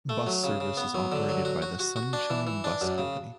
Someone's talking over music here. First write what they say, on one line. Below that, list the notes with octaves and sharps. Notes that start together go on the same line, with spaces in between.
Bus service is operated by the Sunshine Bus Company.
A3
F#3
C#3
C#3
B3
F#3
D3
F#3
F#4
F#4
F#4
F#4
D4
E3
E3
D4
F#2
C#3